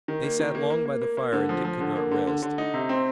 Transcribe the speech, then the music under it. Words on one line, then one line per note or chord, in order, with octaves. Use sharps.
They sat long by the fire and Dick could not rest.
D#3
A#3
D#3
A#3
A#3
A#3
A#3
A#3
D3
F3
F3
D3
A#3
D3
D3
D3
D#4
C3
C4